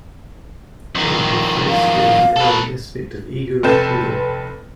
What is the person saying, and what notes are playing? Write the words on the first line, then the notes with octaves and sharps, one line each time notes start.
On her face there was now an aspect of eager appeal.
F2 D#3
F5
A4 B4
F1 C4 A4 B4 G6 E7